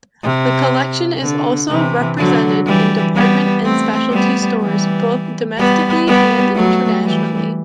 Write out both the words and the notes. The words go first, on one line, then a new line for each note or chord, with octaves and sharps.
The collection is also represented in department and specialty stores both domestically and internationally.
C3
D3
C3 E3
D3 F#3
E3 G3
G3 B3
A3 C4
G3 B3
E3 G3
G3 B3
G3 B3
F#3 A3
E3 G3